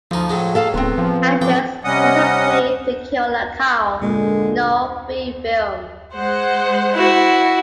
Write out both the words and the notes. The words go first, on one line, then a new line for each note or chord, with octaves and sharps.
Andreas also played the killer, Karl, in all three films.
D2 F3 D#4
A2 F#3 G#3
A4 F5 A5
D1 B3 C4
F3
A1 F3 G5 D6
C3 G3 C#4 D#5 F#5 D#6
A#2 D3 G#3
G#3 C5 F#5
E4 F#4